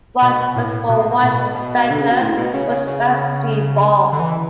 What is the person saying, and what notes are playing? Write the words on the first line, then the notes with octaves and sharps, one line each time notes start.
One notable watch inspector was Webb C. Ball.
B2
A2
B2
B2
A2
B2
B2
D3
C#3
B2
A2
B2
C#3
C#3
C#3
D3
E3